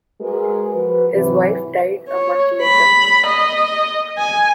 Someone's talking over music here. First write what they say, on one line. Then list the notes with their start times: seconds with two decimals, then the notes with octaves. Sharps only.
His wife died a month later.
0.20 G#3 F#4 G#4 A#4 B4
0.74 F3 F#4 B4
1.13 G#2 C3 E3 F#3
2.09 C#5
2.62 B5
3.27 D#5
4.18 G#5